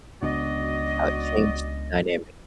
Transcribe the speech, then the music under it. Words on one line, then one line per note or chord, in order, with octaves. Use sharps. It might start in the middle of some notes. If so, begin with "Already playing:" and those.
uh, changed the dynamic,
C#2 B3 D4 F#4 D5 D#5